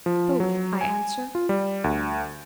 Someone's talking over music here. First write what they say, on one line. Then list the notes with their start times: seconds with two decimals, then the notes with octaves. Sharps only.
Both, I answer.
0.06 F3
0.40 F#3
0.81 G#5
1.35 F4
1.49 G3
1.84 D2